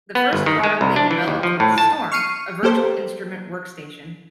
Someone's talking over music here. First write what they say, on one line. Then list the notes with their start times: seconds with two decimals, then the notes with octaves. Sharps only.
The first product they developed was Storm, a virtual instrument workstation.
0.15 B3
0.33 G1
0.46 D#3
0.64 G#3
0.81 C2
0.96 D4
1.11 E3
1.28 D#2
1.43 F3
1.60 A2
1.78 A5
2.12 C#6 F6 C7 C#7 D#7
2.63 A#3 G4 A4 C5